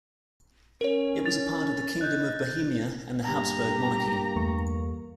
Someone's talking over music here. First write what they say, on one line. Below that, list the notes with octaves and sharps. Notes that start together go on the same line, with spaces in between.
It was a part of the Kingdom of Bohemia and the Habsburg Monarchy.
C#4 A#4 C#5
A6 F7
D#5 F#6 G6
G2 A#3 G4 A#5
E2 A3 C#6